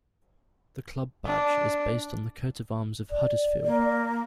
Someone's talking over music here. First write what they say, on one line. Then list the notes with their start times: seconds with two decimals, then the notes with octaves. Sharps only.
The club badge is based on the coat of arms of Huddersfield.
1.26 D4
3.10 D5
3.65 A#3